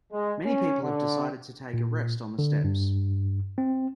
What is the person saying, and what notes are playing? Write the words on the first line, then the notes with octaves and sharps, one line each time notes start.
Many people have decided to take a rest on the steps.
G#3
C#4
D3
A#2
D3
G2
C4